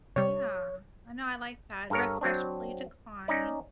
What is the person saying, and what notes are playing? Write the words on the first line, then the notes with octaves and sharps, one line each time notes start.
Yeah, I know, I like that, respectfully decline,
C3 G3 C#5
G2 A4 A#4 C#5
F#3 C4 D4
C#4 D#4 D5